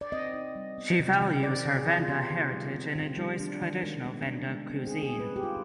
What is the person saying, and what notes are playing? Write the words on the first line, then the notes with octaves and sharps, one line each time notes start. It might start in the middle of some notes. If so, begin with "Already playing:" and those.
She values her Venda heritage and enjoys traditional Venda cuisine.
D5
C4 D#5
D#4
G3
B3
C3
D#3
C4 D5
D3
G#4
F3
F4
B3 G4
D#3
G3
C4
D#3
G3
D4
D#3
G#3
B3
D4
G#3
C4
G#4
D#4
G#4
G3
B4
G#3 G4
F4